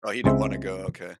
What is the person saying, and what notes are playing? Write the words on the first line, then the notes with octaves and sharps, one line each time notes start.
Oh, he didn't wanna go, okay.
C#2 G#3 C4 E5